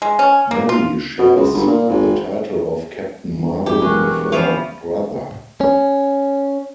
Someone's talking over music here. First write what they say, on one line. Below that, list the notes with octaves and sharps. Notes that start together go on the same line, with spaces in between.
Mary shares the title of Captain Marvel with her brother.
G#3
C#4
A#3
F4
B2
C#2
G1
A#2
G#1
G1
F2 E4 G4
E1 G#3 G#4 A#4 C#6 F#6
F3 B3 C#4 E5 F5 B5
C#4